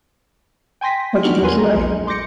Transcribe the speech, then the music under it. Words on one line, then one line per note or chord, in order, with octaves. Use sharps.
What do you think you weigh?
G5 G#5 C6 A#6 B6
B3 D4 D#4 F#4 F6
E2 F#3 A#4 B4 G#5 C6
A#5
A#1
C6 D6 G6 A#6 C#7